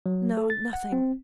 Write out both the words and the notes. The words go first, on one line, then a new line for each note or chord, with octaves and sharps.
'No, nothing.
F#3
A4
A6
F#5
C4